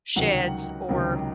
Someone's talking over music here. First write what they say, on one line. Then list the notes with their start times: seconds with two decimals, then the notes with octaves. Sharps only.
sheds or
0.16 C#2 C3 D#3 F#3 F#5
0.89 C#2 C3 D#3 F#3